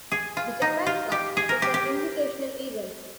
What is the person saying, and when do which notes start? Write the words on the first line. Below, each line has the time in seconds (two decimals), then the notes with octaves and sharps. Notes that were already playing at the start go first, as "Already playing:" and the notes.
The Japan Cup is an invitational event.
0.12 G#4
0.37 F4
0.62 D#4
0.86 F4
1.12 G4
1.37 G#4
1.49 A#4
1.62 G4
1.74 G4